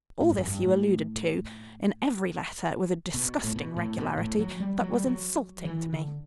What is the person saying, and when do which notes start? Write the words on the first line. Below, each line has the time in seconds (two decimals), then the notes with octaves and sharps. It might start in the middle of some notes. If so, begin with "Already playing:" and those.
All this you alluded to in every letter with a disgusting regularity that was insulting to me.
0.21 A2
0.30 G2
0.38 F#2
0.47 G2
0.63 A2
3.14 B2
3.44 A2
3.56 B2
3.77 A2
3.98 B2
4.18 A2
4.39 F#3
4.60 G3
4.81 F#3
4.94 G3
5.07 F#3
5.65 E3
5.93 D3